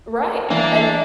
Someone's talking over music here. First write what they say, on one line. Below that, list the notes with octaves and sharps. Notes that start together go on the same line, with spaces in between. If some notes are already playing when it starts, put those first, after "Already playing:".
Right, and
E3 A#3 D4 F5